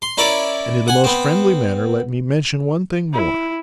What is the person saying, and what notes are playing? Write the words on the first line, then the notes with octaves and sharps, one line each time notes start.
And in the most friendly manner, let me mention one thing more.
C6
C#4 E4 A#4 C#5 D5
F#5 G#5
B3 C4
E4